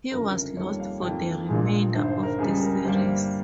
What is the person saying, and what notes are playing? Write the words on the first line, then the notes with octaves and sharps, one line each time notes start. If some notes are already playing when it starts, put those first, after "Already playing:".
He was lost for the remainder of the series.
G1 F2 C#3 A#4
A#4
F2 D#3 G3 A#3 C#5
F5
F2 D#3 A#3 G5
A#1 A#2 G#3
G1 G2 D#3 C5
C5
A#4
C#2 C#3 G3 G#4
A#4
G1 G2 G3 A#3 C5